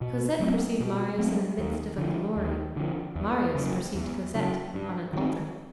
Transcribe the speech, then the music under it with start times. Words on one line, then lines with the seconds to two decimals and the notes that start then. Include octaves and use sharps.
Cosette perceived Marius in the midst of a glory; Marius perceived Cosette on an altar.
0.01 B2
0.40 F#3 A3 C4
0.80 B2
1.18 F#3 A3 C4
1.58 D#2
1.98 D3 F3
2.37 D#2
2.77 D3 F3
3.16 E2
3.55 C#3 F#3
3.95 E2
4.35 C#3 F#3
4.74 G2
5.13 D#3 G3 C4